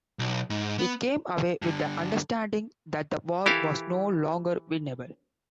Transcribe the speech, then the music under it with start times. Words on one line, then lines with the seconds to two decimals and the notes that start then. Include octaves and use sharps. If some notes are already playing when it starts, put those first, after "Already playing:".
He came away with the understanding that the war was no longer winnable.
0.19 B1
0.50 G#2
0.79 B3
1.62 G2 D3
3.46 E3 E4 G4 A4 A#4 F5